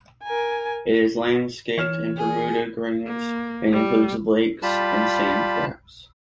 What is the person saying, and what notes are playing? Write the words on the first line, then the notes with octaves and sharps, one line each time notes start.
It is landscaped in Bermuda Greens and includes lakes and sand traps.
A#4 G#5
E3 C#5 F6 E7
G#4
A#3
G3
G3 F4 G4 A5 B5